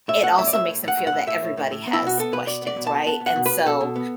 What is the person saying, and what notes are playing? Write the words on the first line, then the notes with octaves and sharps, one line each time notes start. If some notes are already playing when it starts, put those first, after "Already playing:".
it also makes them feel that everybody has questions, right, and, so,
A2 E5
A3 F#5
A2 E5
D5
A2 E5
A2
A2
F#5
A2
F#5
A2
A2 E5
A2
A2
A2
B3
E4
B2 F#4
B3 A4
B2 B4
B2 D5
B3 D5
B2
B3 A5
B3 A5
B3
F#5
B2
B4
B2
B2 A4
B2
B3